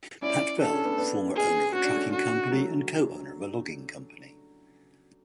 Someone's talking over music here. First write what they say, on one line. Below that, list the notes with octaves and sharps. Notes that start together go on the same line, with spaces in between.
Pat Bell, former owner of a trucking company and co-owner of a logging company.
C#4 E4 D5
D4 A4
C#4
B3 D4
B3 D4
G#4
C#4 F#4
D4
A3 C#4
F#4
F#3 A3